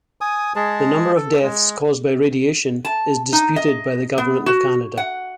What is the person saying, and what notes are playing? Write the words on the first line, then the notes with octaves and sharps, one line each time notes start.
The number of deaths caused by radiation is disputed by the Government of Canada.
G#5 D#6
G#3 G#4 A5
A4
G#3
A5
D#4
D#5
B3
F#4
F#5